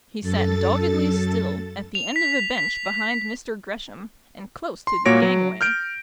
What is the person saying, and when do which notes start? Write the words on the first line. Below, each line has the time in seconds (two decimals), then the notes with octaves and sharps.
He sat doggedly still, at the end of a bench behind Mr. Gresham, and close to the gangway.
0.22 F#2 A4 A6
1.95 F7
2.16 B6
2.32 B6
2.58 B6
4.87 C6
5.06 A#2 A#3 F#4 C#5 A#6 D7
5.22 F#3
5.61 F6 G6 D7